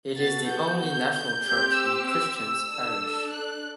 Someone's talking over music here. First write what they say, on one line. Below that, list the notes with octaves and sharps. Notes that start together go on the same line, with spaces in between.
It is the only national church in Christians Parish.
B3 F#4 A4 A6
G6
G6
G6
C4 G4 G6
E6
E6
E6
D4 A4
F#6